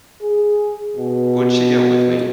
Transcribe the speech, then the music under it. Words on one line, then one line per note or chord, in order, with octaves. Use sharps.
Would she go with me?
G#4
B2